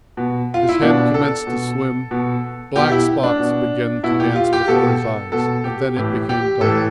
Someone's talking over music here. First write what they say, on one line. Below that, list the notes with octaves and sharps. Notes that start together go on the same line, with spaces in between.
His head commenced to swim, black spots began to dance before his eyes, and then it became dark.
B2
F4
E4
B2 D4
A4
B2
B2
B2 G4
E4
D4
B2
B2 E4
G4
F4
G4
B2 A4
B2 A4
G4
A2 E3 G4
G4
A2 E3 A4